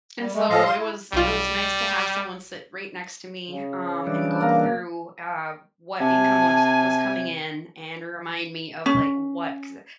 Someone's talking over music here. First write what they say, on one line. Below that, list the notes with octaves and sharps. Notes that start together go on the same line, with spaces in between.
and so, it was it was nice to have someone sit right next to me, um, and go through, uh, what income was was coming in and remind me of, like, what 'cause, uh
G3
G#3 A3
A2 F3 A4 D#5 F5
F5 C6
E4
B1 G3 F4
C#3
E3 G3 D4
A#3 A#5
C3 G#5 A5
C#4